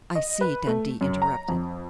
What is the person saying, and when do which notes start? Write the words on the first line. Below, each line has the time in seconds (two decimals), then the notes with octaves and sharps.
"I see," Dundee interrupted.
0.15 D#5
0.41 B4
0.67 A3
1.01 F#2
1.22 A#5
1.49 F2